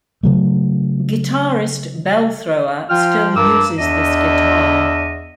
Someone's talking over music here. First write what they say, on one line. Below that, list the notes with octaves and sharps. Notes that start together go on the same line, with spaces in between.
Guitarist Belthrower still uses this guitar.
C#3 F#3 A3
F3 F4 G5 F6
G2 A#4 D6 E6
E2 D4 D#5 E5